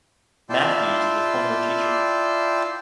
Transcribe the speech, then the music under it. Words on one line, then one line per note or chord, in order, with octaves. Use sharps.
Matthews is a former teacher.
E4 F4 D5 G5 A5